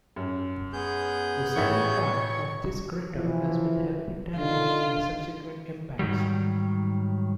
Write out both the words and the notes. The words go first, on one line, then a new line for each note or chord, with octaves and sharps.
The southern part of this crater has been heavily damaged by subsequent impacts.
F#2
B3 G#4 G6
A1 C#5 E5 F#5
E3 F3
D3 D#3 D#4 F4
G#2 D#3 F#3 G3